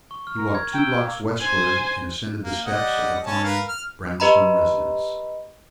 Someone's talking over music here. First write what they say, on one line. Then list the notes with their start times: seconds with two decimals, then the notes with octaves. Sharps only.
He walked two blocks westward and ascended the steps of a fine brown-stone residence.
0.11 C#6
0.24 C#6 F6
0.37 A#4
0.55 G#6
0.74 G5 A#5 E6
1.03 A#3
1.41 C5 G#5
2.43 A#3
2.65 G3 D#5 F#5
3.24 C#4 C#5 A5
3.44 A#4 B4 F5
3.68 F6
4.20 G4 B4 D#5 A#5 B5